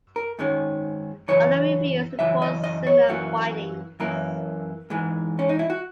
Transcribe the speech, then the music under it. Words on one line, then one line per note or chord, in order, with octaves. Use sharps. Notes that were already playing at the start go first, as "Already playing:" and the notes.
Other reviews report similar findings.
A#4
G#2 D#3 G#3 C#4
F#2 C#3 E3 C#5
F#2 C#3 E3 E5
D#5
D#5
C#5
F#2 E3 A#3 F#4
F#2 E3 A#3 A#4
G#2 E3 G#3
C#4
D#4
E4
F#4